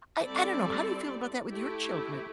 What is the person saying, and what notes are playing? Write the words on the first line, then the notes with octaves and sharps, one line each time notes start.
I I don't know. How do you feel about that with your children?
G3 C4 E4 A4 D5
A3 E4 G4